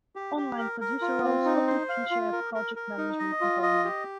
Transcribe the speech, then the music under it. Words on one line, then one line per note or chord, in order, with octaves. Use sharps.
Online producer roles often feature a project management component.
G4
G4
A#4
A#4
F4
C4
D#4
C5
F5
F4
A#4
A#4
A#4
D#4
D#5
F4
D#5
G4